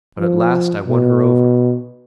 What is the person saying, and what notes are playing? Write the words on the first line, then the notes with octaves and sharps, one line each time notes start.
But at last I won her over.
F3
B2